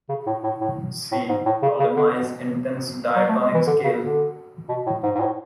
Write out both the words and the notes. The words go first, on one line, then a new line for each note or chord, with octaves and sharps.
See: Ptolemy's intense diatonic scale.
C#3
A2
A2
A2
A2
G#2
A2
C#3
C#3
D3
F#3
A3
G#3
E3
D3
C#3
D3
B2
A2
G#2
G#2
A2